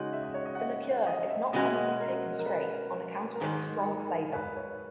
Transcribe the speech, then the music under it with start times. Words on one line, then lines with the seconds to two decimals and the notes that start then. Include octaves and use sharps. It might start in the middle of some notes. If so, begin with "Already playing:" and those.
The liqueur is not commonly taken straight on account of its strong flavour.
Already playing: C#3 G#3 D#4 F#4 C#5
0.13 E5
0.23 D#5
0.34 C#5
0.46 D#5
0.55 F#5
0.60 E5
0.84 F#5
1.07 D#5
1.30 E5
1.53 B2 G#3 C#4 F#4 D#5
1.64 E5
1.75 D#5
2.00 A#4
2.39 A#4
2.46 B4
3.35 A#4
3.40 G#2 D#3 F#3 G#4
3.86 A#4
4.33 B4
4.56 C#5